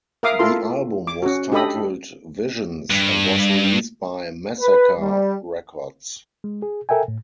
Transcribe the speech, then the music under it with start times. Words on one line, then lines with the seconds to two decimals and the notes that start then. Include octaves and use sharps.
The album was titled "Visions" and was released by Massacre Records.
0.23 A#4 E5 F5 D6 D#6
0.39 E4 F4 A4 A#4 C6
1.07 D6
1.22 C#4 F#4
1.52 D4 G4 A4 D#5 B5 D#6
2.90 G2
4.61 B4
5.00 G3
6.44 G#3
6.62 G#4
6.89 A4 A#4 E5 G5 G#5
7.08 A2